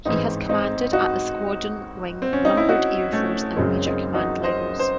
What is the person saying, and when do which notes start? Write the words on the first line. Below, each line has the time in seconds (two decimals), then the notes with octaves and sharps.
He has commanded at the squadron, wing, numbered air force and major command levels.
0.05 A1 G#2 E3 C4 D#4
0.49 C4 D#4
0.93 D#4 F#4
2.22 C4
2.33 C#4
2.45 D#4
2.57 E4
2.68 D#4 F#4
3.12 A3 C#4
3.56 F#1 F#2 C#3 F#3 G#3 C4
3.86 C4 D#4
4.14 D#4 F#4
4.44 C5 D#5
4.79 C5